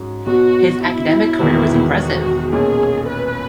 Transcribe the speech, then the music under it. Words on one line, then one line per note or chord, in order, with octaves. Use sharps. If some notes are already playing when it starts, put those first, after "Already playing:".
His academic career was impressive.
Already playing: G#2 F#3 C#4
B1 B2 F#3 F#4
E4
E1 E2 D#3 F#3 B3
F#4
B1 A#2 A#3 C#4 G#4
B4